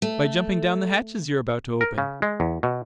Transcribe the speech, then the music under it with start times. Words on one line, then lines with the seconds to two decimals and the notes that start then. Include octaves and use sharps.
"By jumping down the hatches you're about to open."
0.02 A3
1.81 A#4
1.98 C#3
2.22 G#3
2.40 E2
2.63 B2